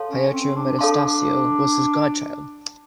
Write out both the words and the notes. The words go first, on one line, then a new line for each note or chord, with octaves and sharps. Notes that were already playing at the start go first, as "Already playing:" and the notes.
Pietro Metastasio was his godchild.
Already playing: A4 C#5 F5 A5 C6
C#4
C4
D4
A4 C#5 F5 A5 C6